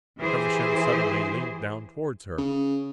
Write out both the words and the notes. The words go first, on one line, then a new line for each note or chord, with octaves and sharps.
Feversham suddenly leaned down towards her.
E3 G4 G#4 C5
C#3